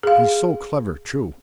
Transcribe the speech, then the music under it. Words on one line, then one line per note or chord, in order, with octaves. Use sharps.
"He's so clever, too!"
G#4 F5